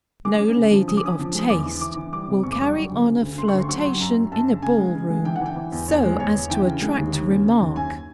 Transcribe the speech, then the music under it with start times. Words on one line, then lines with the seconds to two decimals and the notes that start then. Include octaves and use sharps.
No lady of taste will carry on a flirtation in a ball room, so as to attract remark.
0.25 G#3 D6
0.40 C#4
0.56 C#3
0.71 F3
0.87 C#3 D#6
0.97 D6
1.03 C#4 D#6
1.19 F3
1.35 G#3 D#6
1.50 E2 D6
1.66 E3
1.81 E3 D6
1.97 E3
2.13 G3 D6
2.28 C3
2.43 E2 C#6
2.52 D6
2.60 G3 C#6
2.75 F#3
2.90 D2
3.07 C#3
3.22 D2
3.38 C#3 C6
3.48 C#6
3.53 D2
3.59 C6
3.68 F#3 C#6
3.80 C6
3.85 F#3
4.00 F#2 A#5
4.16 F#2
4.32 F#2 A5
4.47 C#3
4.62 C#3 G#5
4.78 G#3
4.95 C#3
5.10 G#3
5.25 E3 G5
5.36 F#5
5.41 E3 G5
5.56 E3
5.72 E2
5.88 E2 C#5
6.03 G#3
6.19 E2 C#5
6.35 E2
6.50 E3 G5
6.66 C#3
6.82 G#3
6.98 D#2
7.13 D#2
7.29 C#3
7.44 C#3
7.60 D#2
7.76 F#2 G#5